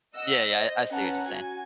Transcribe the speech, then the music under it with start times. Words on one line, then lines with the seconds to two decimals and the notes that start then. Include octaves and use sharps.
Yeah, yeah, I see what you're saying.
0.15 D#5 F#5 E6 A#6
0.50 C5 D#5
0.92 C#4 B4 F#5 A5 A#5
1.25 F#4 G#5